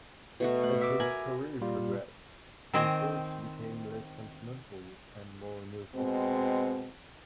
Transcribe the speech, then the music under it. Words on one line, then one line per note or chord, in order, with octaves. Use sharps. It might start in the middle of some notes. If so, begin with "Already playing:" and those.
As his career progressed, his works became less sentimental and more neoclassical.
B2 A3 F#4
A3 F#5
E5 D6
A#4 G#5 B5
A#2 G3 F4
D#3 C4 C5 D#5 G#5
B2 G#3 C4